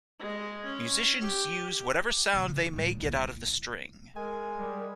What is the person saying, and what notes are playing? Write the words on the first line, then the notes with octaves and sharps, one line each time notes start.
Musicians use whatever sound they may get out of the string.
G#3
C#4
G4
D2 B2
C#3
A2 G3
D2
A#1 E4
G#3 A#4 G#5
G3